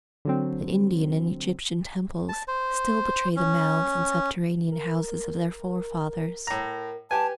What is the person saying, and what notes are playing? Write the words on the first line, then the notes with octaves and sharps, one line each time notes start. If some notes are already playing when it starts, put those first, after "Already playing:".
The Indian and Egyptian temples still betray the mounds and subterranean houses of their forefathers.
D3 F#3 C4
A5
C5
C#4
A#4
A2 A#5
G4 B4 G#5 A5